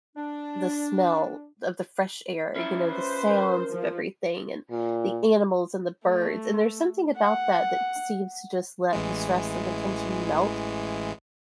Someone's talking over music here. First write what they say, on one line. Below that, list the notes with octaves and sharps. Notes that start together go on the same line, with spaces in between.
the smell of the fresh air, you know, the sounds of everything, and the animals and the birds. And there's something about that that seems to just let the stress and the tension melt
D4
C#4 E4 F4 E5
B4 C5
A#4
F3
A#2
A3
F#5
A1 E3 G#3